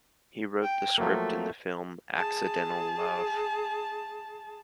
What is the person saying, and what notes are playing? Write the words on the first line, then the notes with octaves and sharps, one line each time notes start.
He wrote the script in the film "Accidental Love".
G5
F3 F#3 A3 A#3
G#4 A5